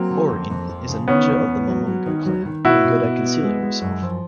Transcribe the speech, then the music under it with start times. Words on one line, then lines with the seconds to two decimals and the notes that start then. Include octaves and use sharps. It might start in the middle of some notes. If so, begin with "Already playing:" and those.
Orin is a ninja of the Momonga Clan, and good at concealing herself.
Already playing: F#3 A#3 C4
0.10 D3
0.30 F2
0.50 F2
0.69 F3
0.89 C#3
1.08 D#3 B3 C#4
1.28 E2
1.48 E2
1.67 F#3
1.86 F#3
2.06 D#3
2.25 F#3
2.46 D#3
2.65 B2 E4 F#4
2.84 B2
3.04 B2
3.24 B3
3.43 G#3
3.62 G#3
3.82 F#2
4.02 F3